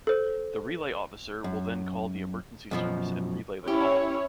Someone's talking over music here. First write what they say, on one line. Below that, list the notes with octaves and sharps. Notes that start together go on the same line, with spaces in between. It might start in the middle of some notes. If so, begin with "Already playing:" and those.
The relay officer will then call the emergency service and relay the call.
A4 C5
F#2
F#2 B2 F3
C#4 E4 G4 C#5